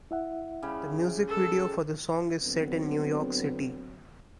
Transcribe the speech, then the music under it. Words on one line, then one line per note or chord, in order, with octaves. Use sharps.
The music video for the song is set in New York City.
E4 E5 F#5
C#3 G3
A4
D3 F#3 B3 C4